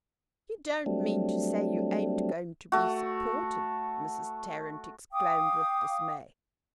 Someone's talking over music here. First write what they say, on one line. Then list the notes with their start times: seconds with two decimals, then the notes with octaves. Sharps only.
"You don't mean to say you ain't going to be supported?" Mrs. Tarrant exclaimed, with dismay.
0.86 F#3 G3 A3 C4 D4
2.72 A3 F#4
5.13 F5 G5 D6 D#6